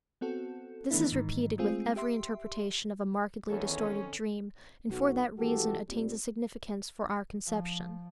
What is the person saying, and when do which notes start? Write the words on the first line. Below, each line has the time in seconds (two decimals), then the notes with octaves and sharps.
This is repeated with every interpretation of a markedly distorted dream, and for that reason attains a significance for our conception.
0.21 B3 C4 F#4 A4
0.91 D#3 E3 A3 B3 D4 E4
1.12 G#2 D#3 E3
1.58 G#3 A3 C4 F4 G#4
1.96 G4 E5 C6
3.50 E2 D#3 C4 C#4 A4 C#5
4.89 B1 B2 F#4
5.38 G#1 E3 G#3 F#4 G4 A4
5.89 A#2 G3 C4
7.45 F3